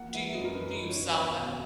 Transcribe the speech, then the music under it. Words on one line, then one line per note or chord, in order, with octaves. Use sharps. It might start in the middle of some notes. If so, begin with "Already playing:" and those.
W do you do you sell them?
Already playing: A#3 F#5
E3 E5
F#2 D#5
A#4
F#2 B4
A#4
D#3
C#5
D#3
B4
E2
B2